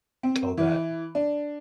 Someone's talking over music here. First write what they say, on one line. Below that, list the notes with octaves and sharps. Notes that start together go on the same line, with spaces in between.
all that,
C4
E3
D4